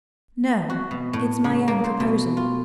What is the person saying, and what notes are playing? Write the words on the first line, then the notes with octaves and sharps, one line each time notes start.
"No; it's my own proposal."
F#4
B2
A2
C#3
A#3
C5
B2
F4